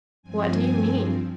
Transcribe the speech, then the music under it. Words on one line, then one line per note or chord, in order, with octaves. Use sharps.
"What do you mean?"
G2 F3 C4 G#5